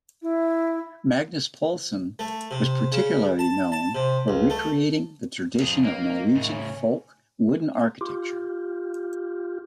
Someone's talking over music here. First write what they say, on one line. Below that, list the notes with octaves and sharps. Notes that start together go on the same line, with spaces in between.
Magnus Poulsson was particularly known for recreating the tradition of Norwegian folk wooden architecture.
E4
A3
C3
C#3
A5
A5
C3
C#2
A3
F2 G#4
C#2 A#3
D#3
A2 C#3
C#4
F4 G4